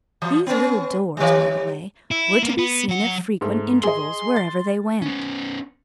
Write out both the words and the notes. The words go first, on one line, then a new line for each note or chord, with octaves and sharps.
These little doors, by the way, were to be seen at frequent intervals wherever they went.
E3
B3 C#4
D#3 G3
E4
A#3 B3
B3
F#3 F#5
G#2 A3
G#4 D#5 C6
A6
B3 C#4